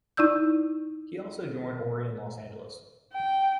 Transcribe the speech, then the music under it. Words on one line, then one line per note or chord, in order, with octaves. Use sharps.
He also joined Ory in Los Angeles.
D#4 E4 D5 E6 G6
G5